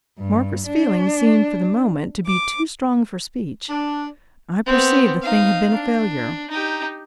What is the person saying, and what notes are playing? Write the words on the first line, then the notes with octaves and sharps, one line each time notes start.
Margaret's feelings seemed for the moment to be too strong for speech. I perceived the thing had been a failure.
G2
D4
D6
D4
B3 C4
D#4 F5
D4
D#4 G4